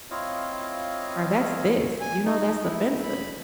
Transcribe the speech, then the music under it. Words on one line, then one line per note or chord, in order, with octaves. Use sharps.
or "That's this," you know, "That's offensive,"
C4 E4 F4 C#5 D#5 F5
G#5
D#4
E4
B5